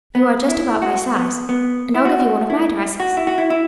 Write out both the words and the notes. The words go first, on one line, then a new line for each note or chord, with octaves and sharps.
You are just about my size, and I'll give you one of my dresses.
B3
E4
F#4
B3
B3
E4
F#4
E4
F#4
E4
F#4
E4
E4